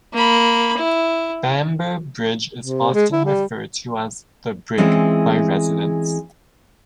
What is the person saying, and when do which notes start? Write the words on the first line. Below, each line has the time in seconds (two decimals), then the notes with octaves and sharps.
Bamber Bridge is often referred to as "the Brig" by residents.
0.13 A#3 B5
0.77 E4
2.60 C3
2.94 G#3
3.12 E4
3.25 G3
4.78 E3 G#3 C4 C#4 E4 F4